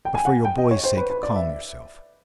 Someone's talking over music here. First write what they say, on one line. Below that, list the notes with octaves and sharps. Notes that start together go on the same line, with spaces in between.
But for your boy's sake, calm yourself.
G5
G#5
F#5
G5
D#5
C#5
C5
B4
B4
D5
E5